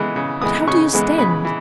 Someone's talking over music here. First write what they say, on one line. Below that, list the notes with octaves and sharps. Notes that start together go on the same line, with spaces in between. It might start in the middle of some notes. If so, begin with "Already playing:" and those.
'But how do you stand?
Already playing: C#3 E3 G#3 B3
C#3
E3 G#3 B3 D#6
C#3 C#6
E3 G#3 B3
C#3 B5
E3